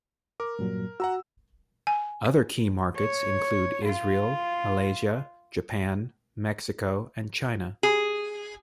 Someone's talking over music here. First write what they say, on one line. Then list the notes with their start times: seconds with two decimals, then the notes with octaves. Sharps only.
Other key markets include Israel, Malaysia, Japan, Mexico and China.
0.40 A#4 D6
0.59 G2 A#2 F#3
1.00 F#4 F#5 A#5 E6
1.87 G#5
2.97 C#5
3.85 F4
7.83 G#4